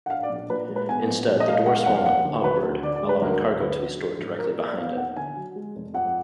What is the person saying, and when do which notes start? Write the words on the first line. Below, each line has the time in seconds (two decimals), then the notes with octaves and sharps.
Instead, the door swung outward, allowing cargo to be stored directly behind it.
0.06 F#5
0.10 D4 F5
0.23 D5
0.29 A#1
0.36 D5
0.50 A#2 B4
0.69 G#3
0.76 B4
0.88 B3 G#5
1.07 A#1
1.28 A#2
1.40 D#5
1.46 G#3 F5
1.53 D#5
1.66 G#3 F#5
1.76 F5
1.85 F1 F#5
1.96 F5
2.06 D#2 F#5
2.25 D3
2.44 D2 B4
2.63 D2
2.83 D3 D5
2.96 D5
3.03 G#3
3.09 B4
3.22 D2 A#4
3.42 D2
3.60 D3 B4
3.81 F#3
4.00 D4
4.19 G#2
4.38 F3 A#4
4.51 A#4
4.59 A#3
4.65 D5
4.77 B3 F5
4.97 D#2 F#5
5.17 D3 G#5
5.36 F#3
5.56 G#3
5.76 F1
5.94 F2 F#5